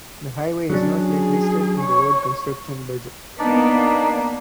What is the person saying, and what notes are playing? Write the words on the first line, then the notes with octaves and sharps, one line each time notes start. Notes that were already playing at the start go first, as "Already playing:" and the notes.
The highway is not yet listed in the road construction budget.
F#3 C#4 D4
G#4
C#5
A#3 B3 D4 D#4 D5